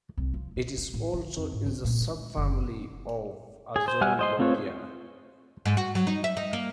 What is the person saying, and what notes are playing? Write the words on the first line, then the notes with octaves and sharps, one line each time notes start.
It is also in the subfamily of "Azorelloideae".
C2
F3
F4
D3
A2
D3
F2
G#2
C2
A#2
G#3
F#1
G#4
C5
G3 E5 F#5 G#5 F6
C5 D#5 C6
A3 C4 F4 B4 C#5
G#2
F#4
F#3
D#4
E5
D#4
A#3